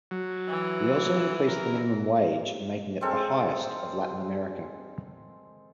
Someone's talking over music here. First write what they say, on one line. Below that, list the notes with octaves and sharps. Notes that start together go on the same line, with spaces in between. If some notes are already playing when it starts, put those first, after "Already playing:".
He also increased the minimum wage, making it the highest of Latin America.
F#3
E3
A#4
G#3 C4 A4 A#4